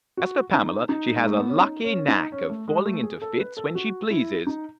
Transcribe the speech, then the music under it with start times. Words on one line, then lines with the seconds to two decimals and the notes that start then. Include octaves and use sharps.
As for Pamela, she has a lucky knack of falling into fits, when she pleases.
0.17 F#4
0.54 D#4
0.89 D#4
1.16 G#3
1.27 A3
1.38 B3
1.49 C#4
1.61 D#4
1.84 C#4
2.08 D#4
2.32 C#4
2.50 A3
2.68 G#3
2.86 A3
3.03 G#4
3.22 A4
3.39 B4
3.57 A4
3.75 F#4
4.10 E4
4.47 D#4